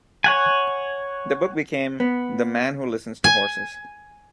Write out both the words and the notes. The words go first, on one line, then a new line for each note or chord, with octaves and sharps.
That book became "The Man Who Listens to Horses".
C#5 F#5 G#5
B3
G#5